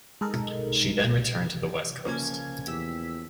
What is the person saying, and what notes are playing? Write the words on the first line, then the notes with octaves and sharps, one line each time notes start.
She then returned to the west coast.
G#3 D#4 A4 A#4
C#3 F3 A#3 C#4 G#6
E2 G4 E6 B6